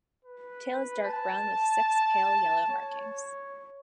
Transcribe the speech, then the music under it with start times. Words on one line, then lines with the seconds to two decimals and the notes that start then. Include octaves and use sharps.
Tail is dark brown with six pale yellow markings.
0.25 B4
1.07 A5
2.71 C#5